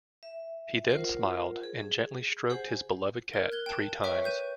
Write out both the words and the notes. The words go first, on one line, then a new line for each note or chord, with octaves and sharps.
He then smiled and gently stroked his beloved cat three times.
E5
F4 A#4 C5 F#5
G#4
G#4
G4 G#4 C5 F#5 G#5
A#4
F#6 G#6 G7
G5 A5
B4 C#5 E5 G5 C#6
B4 G6 D#7